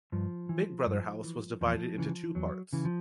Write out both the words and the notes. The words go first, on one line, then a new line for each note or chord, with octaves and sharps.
Big Brother house was divided into two parts.
G2 F3
E3
G2
E3
E2 F3
C#3 E3
E2 F#3
C#3 E3
F3